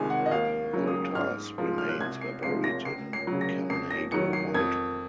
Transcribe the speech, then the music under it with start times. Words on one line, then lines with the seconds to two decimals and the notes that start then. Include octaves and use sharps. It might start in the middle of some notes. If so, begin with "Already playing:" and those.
Volta's remains were buried in Camnago Volta.
Already playing: C2 C3 D#3 G#3 G#5
0.10 F#5
0.26 D#5
0.31 D#2 F5
0.73 C#3 F#3
0.87 D#6
1.15 G#2 F6
1.58 F3 G#3
1.78 F6
1.89 F#6
2.00 C2 G#6
2.21 C7
2.43 C3 F3 G#3 C7
2.64 A#6
2.85 C#2 C7
3.13 C7
3.27 C#3 F#3
3.41 A#6
3.70 F2 C7
3.91 A#6
4.12 D#3 F#3 C#7
4.33 C7
4.54 F2 G#6